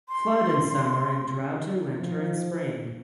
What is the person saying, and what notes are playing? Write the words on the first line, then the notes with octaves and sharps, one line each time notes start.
Flood in summer and drought in winter and spring.
C6
F3